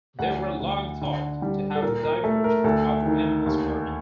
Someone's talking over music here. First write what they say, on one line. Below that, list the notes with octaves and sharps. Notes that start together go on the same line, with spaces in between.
They were long thought to have diverged from other animals early.
D2 F#5
D2
D3
G3
A4
A#2 A#4
A#4
A3 A4
A#4
D2 A4
D#3
D#2